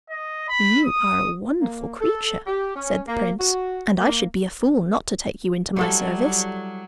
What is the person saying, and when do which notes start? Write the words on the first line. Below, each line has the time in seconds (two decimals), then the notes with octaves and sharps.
'You are a wonderful creature,' said the prince, 'and I should be a fool not to take you into my service.
0.10 D#5
0.49 B5
0.85 D#6
1.61 A#3
2.00 A4
2.47 G4
2.76 C#4
3.08 A#3
3.40 F#4
3.99 A#3
5.76 F#3 G3 E4 A4